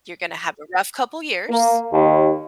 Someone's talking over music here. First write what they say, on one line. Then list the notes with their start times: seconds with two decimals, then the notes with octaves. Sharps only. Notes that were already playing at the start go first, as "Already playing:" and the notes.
you're gonna have a rough couple of years"
1.49 A#3
1.92 D#2